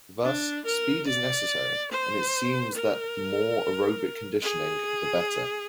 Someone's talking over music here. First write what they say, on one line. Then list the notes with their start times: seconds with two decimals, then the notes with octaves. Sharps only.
Thus, speed is necessary, and it seems that the more aerobic conditioning, the better.
0.24 D4
0.65 A#4
1.07 D5
1.91 C5
2.75 A#4
4.43 G#4